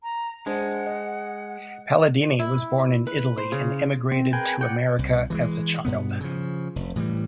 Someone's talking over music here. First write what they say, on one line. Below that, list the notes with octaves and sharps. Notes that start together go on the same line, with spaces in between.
Palladini was born in Italy and emigrated to America as a child.
A#5
G#3 D4 C5 F#5
D#5
E4
B4
C5
C#3
C4
G#4 A#4 B4 G5 G#5
D5 F#5 G5
C2
E3 G3 G#3
G2 B2 B3
C#3 F3
F1
A2 E3 F#3 G3